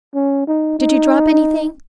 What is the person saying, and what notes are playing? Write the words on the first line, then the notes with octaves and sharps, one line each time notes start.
Did you drop anything?
C#4
D#4
D#4